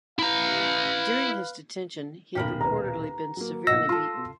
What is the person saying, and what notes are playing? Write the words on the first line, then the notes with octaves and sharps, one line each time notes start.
During his detention, he had reportedly been severely beaten.
E4 B4 F5 A#5
D#1 B1 G4 A#4 B5
B4 A#5
F#3 A#3
B1 A#2 D#5 F#5 E6 A#6
F4 A4 C6